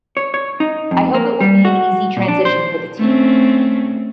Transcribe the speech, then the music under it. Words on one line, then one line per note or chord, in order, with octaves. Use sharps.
I hope it will be an easy transition for the team.
C#5
C#5
D#4
F2
A#3
G3
F#4
A#2
D4
C5
A3 C4 C#4